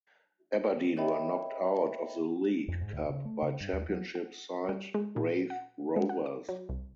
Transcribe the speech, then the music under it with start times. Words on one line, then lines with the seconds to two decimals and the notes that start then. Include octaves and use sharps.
Aberdeen were knocked out of the League Cup by Championship side Raith Rovers.
0.96 A#4 C#5 D#5 E5 G5 B5
2.68 F2
2.81 G#2
2.93 D2
3.10 C#3
3.25 A3
3.42 C#3
3.61 G2
3.73 D#2
3.89 F#3
4.15 F#5
4.69 G3
4.94 G#3
5.16 A#2
5.50 F#5
5.96 G#3
6.09 F#5
6.26 D6
6.49 F#3
6.69 C2